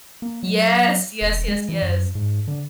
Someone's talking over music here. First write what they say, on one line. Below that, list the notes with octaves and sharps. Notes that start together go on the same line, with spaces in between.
Yes, yes, yes, yes.
A#3
F#3
E1
G#3
E3
F#2
G#2
D3